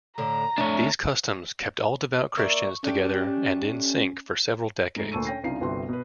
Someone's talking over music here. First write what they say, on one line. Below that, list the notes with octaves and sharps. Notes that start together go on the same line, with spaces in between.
These customs kept all devout Christians together and in sync for several decades.
A2 D3 A#5
F2 A3 D4 C#5
A#3 E4 D5 C#6
A3 C#4 D4 G4
G#2 A3 C7
D2 A#2 A5 C#6 E6 D#7
C#4 G5 A#6 C7
C2 C#3 D4 D#4 F4 C7
G1 C2 G2 C4 F#4 C6
B2 B4